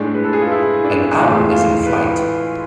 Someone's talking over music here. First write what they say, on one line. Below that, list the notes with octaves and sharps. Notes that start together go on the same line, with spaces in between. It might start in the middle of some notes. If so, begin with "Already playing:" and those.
An owl is in flight.
Already playing: A2 G#3 D4
B4
A4
G#4
F4
E4
D4
A2 E3 G#3 F4
F4
B4